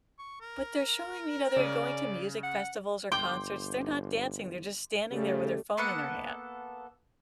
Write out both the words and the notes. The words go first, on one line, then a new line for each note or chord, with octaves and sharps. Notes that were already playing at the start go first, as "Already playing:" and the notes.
But, they're showing me that they're going to music festivals or concerts, they're not dancing, they're just standing there with their phone in their hand.
C#6
A#4
C#3 C#4 D5
F#5
G1 G5 C6 D6 G6
C#3 G3 A3
A#3 B3 A4 F#5